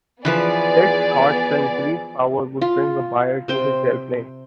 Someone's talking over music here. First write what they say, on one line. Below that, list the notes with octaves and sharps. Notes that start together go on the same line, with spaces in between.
Ted thought the increase power would bring a buyer to his airplane.
E3 F3 B3 G#4 B4 D5
F4
C3 C5 G5